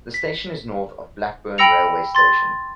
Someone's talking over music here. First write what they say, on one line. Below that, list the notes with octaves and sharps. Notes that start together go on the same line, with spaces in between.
The station is north of Blackburn railway station.
B6
G5 B5 E6 A#6 C#7 F7
C6 A6